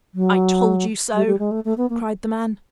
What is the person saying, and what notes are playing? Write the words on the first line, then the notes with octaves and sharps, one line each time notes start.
"I told you so," cried the man.
F#3
G3
G3
G#3
A3
A3
B3
A#3